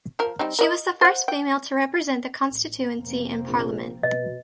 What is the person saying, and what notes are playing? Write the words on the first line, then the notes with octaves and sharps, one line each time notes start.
She was the first female to represent the constituency in parliament.
F3 A#4
G3 C4 D#4
A#4 D5 D#5
C5 F#5
G5
A1
F1 A#3 C4
A#1
B2 B4 D#5